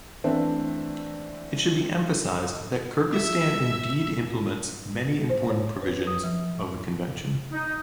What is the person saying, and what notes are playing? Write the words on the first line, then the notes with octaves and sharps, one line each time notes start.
It should be emphasized that Kyrgyzstan indeed implements many important provisions of the Convention.
E3 A3 C4 D4 B4 E5
E5
C5
C#5
B4
D#6
F3
D#4